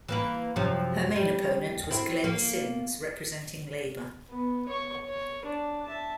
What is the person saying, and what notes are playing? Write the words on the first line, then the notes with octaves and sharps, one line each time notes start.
Her main opponent was Glenn Sims, representing Labor.
E3 A#3 B4
F#2 C3 F3
G3
C4 E4
A#3
B3
C#5 C#6
C#5
D4
E5 A5